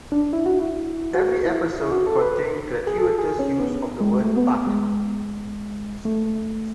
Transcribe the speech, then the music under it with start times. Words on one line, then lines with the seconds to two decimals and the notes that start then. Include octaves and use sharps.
Every episode contained gratuitous use of the word "butt".
0.12 D4
0.33 E4
0.46 F#4
0.59 E4
1.14 F#4
1.45 E4
1.75 E4
1.91 F#4
2.07 A4
2.22 B4
2.87 G#4
2.98 A4
3.19 G#4
3.39 C#4
3.60 B3
4.00 G#3
4.13 G#3
4.21 A3
4.36 B3
4.67 G#3
6.05 A3